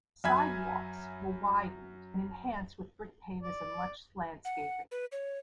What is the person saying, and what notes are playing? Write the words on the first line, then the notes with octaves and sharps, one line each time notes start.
Sidewalks were widened and enhanced with brick pavers and lush landscaping.
F#2 E5 G#5 B5 G#6
D5
F#5
B4
C#5